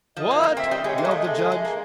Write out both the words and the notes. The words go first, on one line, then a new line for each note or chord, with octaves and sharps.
"What!" yelled the Judge.
F3 D#5
A#3
A#3
C4 E5
G3 D#5
G#3 C#5
A#3
G#3 D#5
A3
G#3
G#3
G#3
A#3